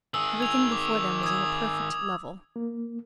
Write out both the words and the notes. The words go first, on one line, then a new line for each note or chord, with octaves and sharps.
Everything before them was on a perfect level.
D#3 G#4 E6
G#6 F7
D6
D#6 G#6
A#3